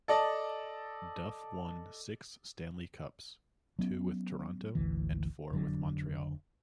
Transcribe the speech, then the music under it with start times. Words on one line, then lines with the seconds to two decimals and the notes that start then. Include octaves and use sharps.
Duff won six Stanley Cups, two with Toronto and four with Montreal.
0.08 A4 D5 D#5 A5
3.79 F#3 B3 C#4
4.75 G#1 D2 E3
5.51 F1 D3 F#3